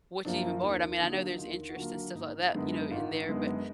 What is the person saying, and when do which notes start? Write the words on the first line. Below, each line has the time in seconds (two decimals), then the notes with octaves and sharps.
what you even borrowed. I mean, I know there's interest and stuff like that, you know, in there, but
0.25 F#2 F3 A#3 D4
0.63 D#2 D4
1.01 D3 F#3 A#3 D#4
1.38 D#2 F4
1.69 F#4
1.76 D3 F#3 A#3 F4
2.14 G#1 D#4
2.52 F#2 D3 G#3 B3 D#4
2.91 G#1 F4
3.29 F#2 D3 G#3 B3 D#4